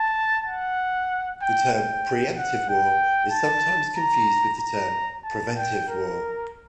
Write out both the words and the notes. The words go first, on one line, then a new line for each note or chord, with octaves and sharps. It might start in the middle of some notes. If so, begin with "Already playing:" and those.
The term 'preemptive war' is sometimes confused with the term 'preventive war'.
Already playing: A5
F#5
G5
G5
F#5
G5
A5
A#5
A#5
A5
G5
A#4